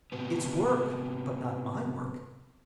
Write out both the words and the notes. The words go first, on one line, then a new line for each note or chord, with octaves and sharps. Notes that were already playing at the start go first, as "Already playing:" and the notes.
It's work--but not my work.
G#2 C3 B3